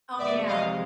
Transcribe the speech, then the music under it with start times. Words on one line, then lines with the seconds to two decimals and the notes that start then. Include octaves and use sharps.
Oh, yeah,
0.18 F2 C3 D#3 G#3 D5 E5
0.48 D#5 F5